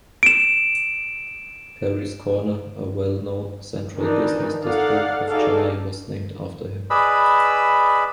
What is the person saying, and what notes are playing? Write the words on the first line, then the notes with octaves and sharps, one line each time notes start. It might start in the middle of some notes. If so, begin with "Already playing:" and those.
Parry's Corner, a well-known central business district of Chennai was named after him.
D7 E7
D#3 E3 D4 D#4
D#4 A4 D5 F5 F#5
D#4 F#4 G#4 A4 D5 F5
G#4 B4 D5 D#5 B5 E6